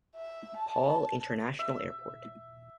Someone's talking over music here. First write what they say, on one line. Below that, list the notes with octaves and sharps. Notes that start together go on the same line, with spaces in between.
Paul International Airport.
E5
A5
E5